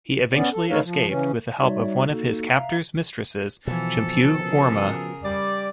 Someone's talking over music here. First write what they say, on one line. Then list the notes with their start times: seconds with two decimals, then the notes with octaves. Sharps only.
He eventually escaped with the help of one of his captor's mistresses, Chimpu Orma.
0.34 B3 C#4 D5
0.52 A4
0.70 A3 D#4 A4 B4 C#5 F5
0.83 F3
1.07 C#3 E3 C#4
1.58 G3 D#4 F#4 C#5 D5 E5
2.07 A#3 D#4 F#4 A4
2.50 E5 F5 A#5
3.67 B2 E3 F3 A4
4.41 C#3 G#4 A#4
5.24 G3 D5